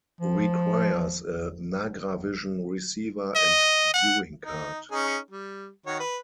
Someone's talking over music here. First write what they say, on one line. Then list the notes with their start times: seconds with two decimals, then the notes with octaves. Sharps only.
Requires a Nagravision receiver and viewing card.
0.21 F3
3.36 D#5
3.94 F#5
4.45 D#4
4.91 C#4 D#4 G#4
5.31 G3
5.86 D#3 F#4 C#5
6.00 B4